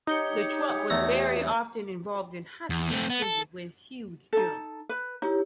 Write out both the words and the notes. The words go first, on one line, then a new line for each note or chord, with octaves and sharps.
The truck was very often involved in high-speed chases and huge jumps.
D#4 G4 C#5 D#6 G6 C#7
E2 A3 A#5
E2
A3 C4
B3
A4
D#4 A4
B4
D#4 E4 G4 C#5